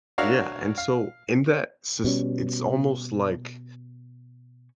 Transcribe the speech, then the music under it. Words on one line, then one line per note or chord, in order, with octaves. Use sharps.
Yeah, and so in that sys it's almost, like
D4 F#4 A#4 C#5 E5 F5
F5
B2 G3 C#4